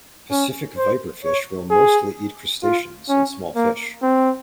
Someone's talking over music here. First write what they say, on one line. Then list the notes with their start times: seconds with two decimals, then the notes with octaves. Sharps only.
Pacific viperfish will mostly eat crustaceans and small fish.
0.31 C#4
0.77 C5
1.25 C#5
1.70 G#4
2.63 F4
3.09 C#4
3.56 A#3
4.02 C4